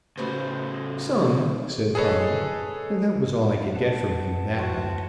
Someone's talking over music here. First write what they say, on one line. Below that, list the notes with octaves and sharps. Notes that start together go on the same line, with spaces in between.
"Some," said Tom; and that was all I could get from him that night.
A2 C#3 A3 F#4 B4 C5
G#4 A4 B4 C#5 D#5
B4 F#5 A5
F#2 F3 F#4 C6